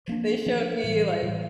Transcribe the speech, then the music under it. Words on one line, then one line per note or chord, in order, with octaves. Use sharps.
they showed me, like,
F3 A#3 D4
F3 A#3 D4
A2 E3 G3
A2 E3 G3